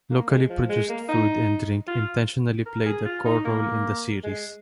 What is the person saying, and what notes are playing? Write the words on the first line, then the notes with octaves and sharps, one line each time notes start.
Locally produced food and drink intentionally played a core role in the series.
A#3
G#3
F3
G#3
A#3
D#4
F4
A#4
G#4
F4
D#4
A#3
G#3